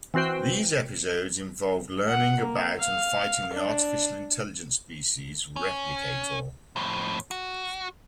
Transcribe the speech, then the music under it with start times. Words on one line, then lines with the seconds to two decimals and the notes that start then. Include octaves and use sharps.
These episodes involved learning about and fighting the artificial intelligence species Replicator.
0.14 E3 C4 F#4 C5 G5
2.08 F#5
2.40 A#3
2.78 F5
3.53 D4
5.56 C#4
6.76 F2 A2
7.31 F#4